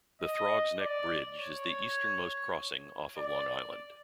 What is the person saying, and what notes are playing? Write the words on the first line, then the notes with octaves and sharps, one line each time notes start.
The Throgs Neck Bridge is the easternmost crossing off of Long Island.
D#5
D5
C#5
D5